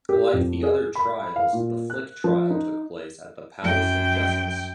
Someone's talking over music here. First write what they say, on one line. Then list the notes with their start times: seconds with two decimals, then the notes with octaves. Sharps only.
Like the other trials, the Flick trial took place at the Palace of Justice.
0.09 G4
0.33 F2
0.63 G#4
0.95 B5
1.36 F5
1.53 A#2
1.90 F#6
2.24 F3
2.51 D#4
3.62 F#2 G5